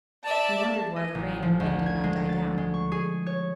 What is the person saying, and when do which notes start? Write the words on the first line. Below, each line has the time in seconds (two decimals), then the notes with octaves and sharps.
He wondered why the rain and wind did not die down.
0.23 D5 E5 A5
0.96 D#5
1.15 A1
1.43 F3
1.60 D2
1.86 G#6
2.04 G#3
2.29 A6
2.58 G#3
2.74 C#6
2.92 G#4
3.26 C#5